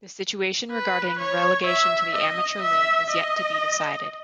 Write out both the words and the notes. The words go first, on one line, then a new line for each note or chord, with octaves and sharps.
The situation regarding relegation to the Amateur League has yet to be decided.
B4
C#5
E5
D#5
E5
D#5